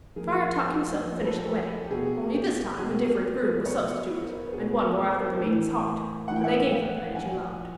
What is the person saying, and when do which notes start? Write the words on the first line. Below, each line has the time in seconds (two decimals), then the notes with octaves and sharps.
Friar Tuck himself finished the wedding--only this time a different groom was substituted and one more after the maiden's heart, for they gave her the man she loved.
0.16 A#2 F3 G#4 A#4
1.04 A#2 F3 B4
1.14 C5
1.25 A4 B4
1.47 G4 A4
1.84 G4
1.91 B2 G#4
2.34 G4
2.78 B2 G#4
3.66 B2 B4 C#5
4.24 A#4 C5
4.47 B4
4.53 B2 G#4 A#4
4.82 A4 B4
5.11 A#4 C5
5.40 A2 E3
6.28 A2 E3 F#5
6.36 G5
6.44 E5 F#5
6.71 F5 G5
7.14 A#2 F3 F#5 G#5